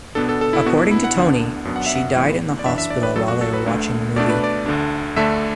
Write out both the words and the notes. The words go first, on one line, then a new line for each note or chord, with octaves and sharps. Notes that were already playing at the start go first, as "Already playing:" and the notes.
According to Tony, she died in the hospital while they were watching a movie.
B2 B3 D4 A4
A4
A4
E4
B2 B3 D4 F#4
E4
E4
F#5
D2 D3 B3 D4
F#2 F#3 B3 D4
F#5
E5
F#5
A2 E3 B3
D5
F#2 E3 D4 E5
E5
D5
B4
F#2 F#3 A3 A4
F#4
A4
B4
D2 D3 A3
B2 A3 D4 D5
B4
D5
D2 D3 A3 D4
D2 D3 A3 D4 E5